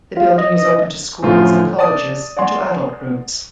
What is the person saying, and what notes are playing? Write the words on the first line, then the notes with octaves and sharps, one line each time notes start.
The building is open to schools and colleges and to adult groups.
F4
D#5
F#2 A2 D3 F3 A3 F4
D5 A5 D#6
D5 F#5 G#5 C6